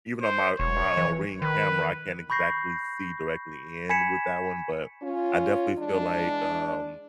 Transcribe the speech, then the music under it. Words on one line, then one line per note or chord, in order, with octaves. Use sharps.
even on my my, uh, Ring camera, I can't exactly see directly in with that one, but I definitely feel like, um
C5
E1 C#5
E3
D#3 B4
B5 C#6 G6 A#6 C7
G#5 B5 G#6 B6 C#7 E7
C#4 F4
E3 G#3 D4